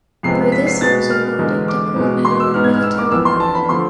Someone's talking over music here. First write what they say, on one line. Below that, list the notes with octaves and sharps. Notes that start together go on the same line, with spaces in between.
For this he was awarded the Gold Medal of Military Valor.
F2 C3 G#3 B3 C7
B6
C7
B2 G#3 B3 A6
F6
E2 D3 G#3
D6
E2 B2 G#3
C6
E6
G#2 G#3 B3 F6
G#6
F6
E6
D6
F2 E3 B3 E6
C6
A5
B5
D3 F3 A3 C6